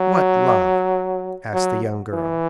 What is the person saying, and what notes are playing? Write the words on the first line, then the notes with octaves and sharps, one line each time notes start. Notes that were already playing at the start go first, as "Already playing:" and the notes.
"What love?" asked the young girl.
Already playing: F#3
F#3
E3